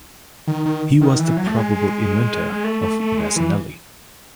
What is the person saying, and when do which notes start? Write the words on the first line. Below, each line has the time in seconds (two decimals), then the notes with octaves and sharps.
He was the probable inventor of bassanelli.
0.48 D#3
0.66 D#3
1.01 D#3
1.19 E3
1.37 F#3
1.47 A3
1.56 G#3
2.52 G#3
2.64 A3
2.82 A3
3.00 A3
3.17 G#3
3.36 E3